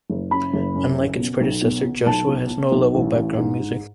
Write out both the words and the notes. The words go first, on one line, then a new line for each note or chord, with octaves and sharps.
Unlike its predecessor, "Joshua" has no level background music.
F#1
C#3 B5
F#1
F#2
C#3
B2
B1
B2
B2
B1 A5
B2
B2
B1
A1
A1
G#2
G#2